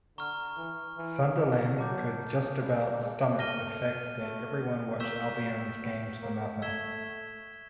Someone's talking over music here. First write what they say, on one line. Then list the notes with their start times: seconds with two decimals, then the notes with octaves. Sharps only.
Sunderland could just about stomach the fact that everyone watched Albion's games for nothing.
0.18 D3 A#5 C#6 F6
0.58 E3
0.98 E3
1.78 F#3 A5 D6 G6
2.59 G3
2.99 G#3
3.39 A3 F6 A#6 D#7 G7
4.20 A3
5.00 A#3 C#6 E6 G6 B6 E7
5.80 B3
6.21 A#3
6.61 A3 E6 G#6 B6 E7 G7